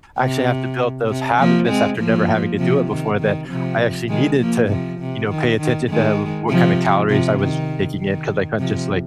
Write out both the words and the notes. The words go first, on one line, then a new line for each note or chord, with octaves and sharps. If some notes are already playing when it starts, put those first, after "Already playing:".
actually have to build those habits after never having to do it before that I actually needed to, you know, pay attention to, uh, what kinda calories I was taking in, 'cause I couldn't just, like,
C3
C3
F3 A#3
G#3 C4
F3 A#3
C3 F3
D#3
D#3
C3 F3
D#3 G#3
F3 A#3
C3 F3
C3
D#3
D#3
D#3 G#3
C3 F3
C3 F3
D#3
D#3
C3 F3